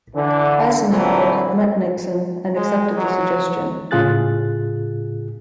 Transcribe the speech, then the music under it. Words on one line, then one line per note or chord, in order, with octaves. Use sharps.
Eisenhower had met Nixon, and accepted the suggestion.
D3 E3
A#1 A#2 D3 E3 A3 C4
G#3
F#3
A2 C#3 F4 G#4 F#6 A6